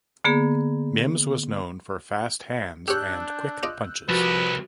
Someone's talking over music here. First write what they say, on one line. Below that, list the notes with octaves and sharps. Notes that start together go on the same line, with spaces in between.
Mims was known for fast hands and quick punches.
D3 A#3 B3 G#4
D4 G4 C#5 E6 F#6 G6
F4 D5 D#5
C2 F3 F#4 B4